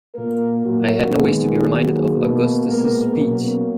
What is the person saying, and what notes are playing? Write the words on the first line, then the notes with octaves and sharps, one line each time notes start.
I had no wish to be reminded of Augustus's speech.
A#2 A#3 A#4
A#2 F#3 A#3 F#4
D#3 G#3 B3 G#4
D#3 F#3 A#3
B2 A#3
A#2 G#3 B3 A#4
B2 F#3 A#3 C#4